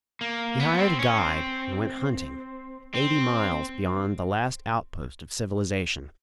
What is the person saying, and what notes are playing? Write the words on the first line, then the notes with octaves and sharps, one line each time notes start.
He hired a guide and went hunting, eighty miles beyond the last outpost of civilization.
A#3
B3
C4
C#4
C4
C4